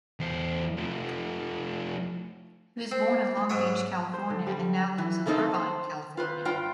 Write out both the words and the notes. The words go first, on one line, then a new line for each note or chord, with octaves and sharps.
He was born in Long Beach, California and now lives in Irvine, California.
E2 C5
F3 A3
C4
G#2 F#3 C#5
C5
D3
G3
E3
G3 A3 A#3 C4 D#4 A4
C5
F4 B4 C5
G2 F4 G5